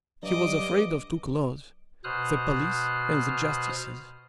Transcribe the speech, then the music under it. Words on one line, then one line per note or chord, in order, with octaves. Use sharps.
He was afraid of two claws--the police and the justices.
G2 F#3 D#5 D6
B2 C5 D#6 F6 F#6